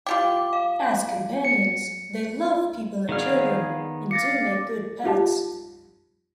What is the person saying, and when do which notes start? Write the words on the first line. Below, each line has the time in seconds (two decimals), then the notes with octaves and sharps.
As companions, they love people and children and do make good pets.
0.06 F4 G4 G5 D6
0.53 F5
1.45 C#7
3.09 D#3 B3 G#4 D5 F5 F6
4.11 F5 D6 A6 A#6 C#7
5.04 D#4 F4 G4 A5